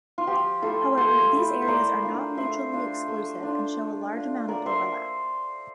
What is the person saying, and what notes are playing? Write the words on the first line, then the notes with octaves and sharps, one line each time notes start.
However, these areas are not mutually exclusive and show a large amount of overlap.
F4
F3 G4
A3 E4 F4 A4
F3 A4 C5
A3 E4
C5
A3 A#4 D5
D4 F4
A3 C5 E5
D4 F4
A3
D4 F4
A3
D4 F4
A#3 A#4 D5
C5 E5